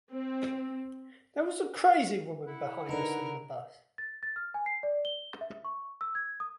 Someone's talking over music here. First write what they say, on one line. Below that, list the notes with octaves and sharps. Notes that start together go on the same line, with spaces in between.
There was a crazy woman behind us on the bus.
C4
E4 F#5
D3 D4 D#4 A#4 B4
A6
A6
F6
G#5
C7
D5
G7
E5
C#6
E6
G#6
D#6